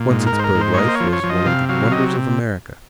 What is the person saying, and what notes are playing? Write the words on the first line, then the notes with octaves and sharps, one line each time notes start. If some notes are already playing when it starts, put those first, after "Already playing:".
Once its bird life was one of the wonders of America.
Already playing: A#2
G#2
A#4
G#2
C5
A#4
G#2
C5
C#5
A#3 D#5
C5
C#5
F3
C#5
F3
D#5
C3 F5
F#3 F5
C3 D#5